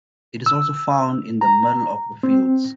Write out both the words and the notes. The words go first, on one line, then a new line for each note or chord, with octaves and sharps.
It is also found in the middle of the fields.
E6
A#5
C4